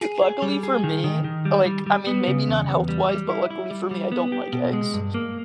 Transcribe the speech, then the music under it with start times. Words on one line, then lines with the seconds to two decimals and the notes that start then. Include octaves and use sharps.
Luckily for me, oh, like, I mean, maybe not health wise, but luckily for me, I don't like eggs.
0.01 G#4
0.22 G#4
0.42 G3
0.63 G#4
0.84 D#3
1.04 D#3
1.24 D#3
1.45 G3
1.66 G3
1.87 G3
2.07 B3
2.27 C#3
2.48 E2
2.68 E2
2.89 G3
3.09 G3
3.30 E4
3.50 E4
3.71 G3
3.91 G3
4.12 B3
4.32 G4
4.53 B2
4.73 G#3
4.94 G2
5.14 A#3